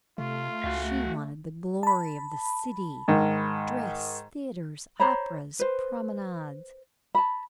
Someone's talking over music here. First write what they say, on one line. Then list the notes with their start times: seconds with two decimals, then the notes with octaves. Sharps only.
She wanted the glory of the city--dress, theaters, operas, promenades.
0.18 C3 A3 F4
0.64 C#2 F#4 F5
1.83 A5 B5
3.08 G#2 D#3
5.00 C5 C#5 A#5 B5
5.59 B4 C5
7.15 A5 B5